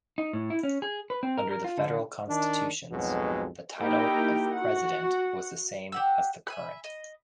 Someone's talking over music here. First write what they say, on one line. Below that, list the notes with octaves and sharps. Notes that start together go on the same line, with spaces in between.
Under the federal constitutions, the title of President was the same as the current.
D#4
A2
E4
C#4
G#4
B4
C4
A#4
A#4
F4
D3
D#3 D4
B1 F2 G#2 B2 F#3 G#3
A#3 D#4 E4 G4 A#4 G5
F#4 F#5
G4 F#5 E6
E5 G#5 B5
D#5